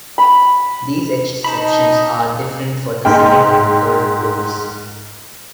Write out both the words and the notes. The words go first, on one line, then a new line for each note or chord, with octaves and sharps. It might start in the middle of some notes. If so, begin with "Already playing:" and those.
These exceptions are different for the second and third rolls.
B5
D#4 A5 B5
G#2 G5